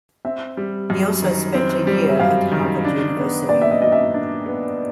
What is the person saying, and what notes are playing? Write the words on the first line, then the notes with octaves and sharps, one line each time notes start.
He also spent a year at Harvard University.
C4 E5
G3
F#2
D#3
C4
G3
E5
F#2 F5
D#3
D4
B3
A#2 D5
E5
D#5
F#3 D#5
E5
D4
B3